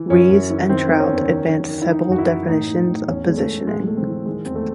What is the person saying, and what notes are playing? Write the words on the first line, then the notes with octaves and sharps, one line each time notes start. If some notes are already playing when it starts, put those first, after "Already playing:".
Ries and Trout advanced several definitions of positioning.
Already playing: E3
F#2 C#4
F#2
E3
D#3 C4
D#3 C4
C#4
E2
D#3
D#3
D#3
E4
E3 D#4
F#2 F#4
E4
E3
A2 D#4
A2
A2
E2 C#4
E2 G#3
A3
E2
A2 G#3
G#3
A2 A3
C4
E3
D#3 G#3
E2 C4
A3